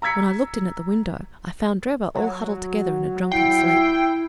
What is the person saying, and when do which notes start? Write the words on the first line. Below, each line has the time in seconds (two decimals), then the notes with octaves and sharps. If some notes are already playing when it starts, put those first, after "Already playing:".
When I looked in at the window, I found Drebber all huddled together in a drunken sleep.
0.02 A#5 E6 G#6 B6 C#7
2.15 F#3
3.32 E4 G5 C7